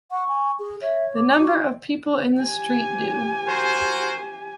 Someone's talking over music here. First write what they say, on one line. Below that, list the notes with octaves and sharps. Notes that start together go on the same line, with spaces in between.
The number of people in the street do.
F#5 C#6
G#5
G#4
C#5 E5
D6
F#4
G4 G#5
F#4 A#4 C5